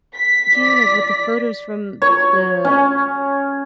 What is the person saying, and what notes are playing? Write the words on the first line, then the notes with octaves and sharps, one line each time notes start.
Yeah, like, with the photos from the
B6
D5
C#5
C#4